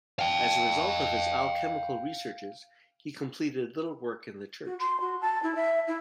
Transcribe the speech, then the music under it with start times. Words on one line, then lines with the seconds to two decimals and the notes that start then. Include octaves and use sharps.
As a result of his alchemical researches, he completed little work in the church.
0.19 F5 G5
4.65 F#4
4.79 C6
5.00 F#4
5.21 A5
5.42 E4
5.55 E5
5.87 E4